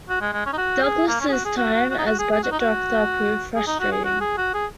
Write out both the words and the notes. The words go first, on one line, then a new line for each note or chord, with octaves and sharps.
Douglas's time as budget director proved frustrating.
F#4
G#3
G#3
C#4
D#4
F#4
G#4
A#3
C#4
G#4
F#4
G#4
F#4
F#4
F#4
D#4
F#4
G#4
G#4
F#4
D#4
F#4
G#4
D#4
F#4
G#4
F#4
G#4
F#4
G#4